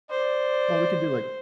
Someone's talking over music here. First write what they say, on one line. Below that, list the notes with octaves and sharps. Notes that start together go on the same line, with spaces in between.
Well, we can do, like,
C5 D5